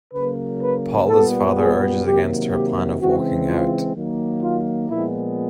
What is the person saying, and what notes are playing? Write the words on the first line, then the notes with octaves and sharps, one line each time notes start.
Paula's father urges against her plan of walking out.
C#3 F#3 A#3 B4
B4
A#2 G3 B3 A4
G#4
C3 D#3 F#3 A#3 G4
G4
C#3 E3 G#3 C4 F#4
F4
D#3 F#3 A#3
F4
A#2 F3 G#3 B3 E4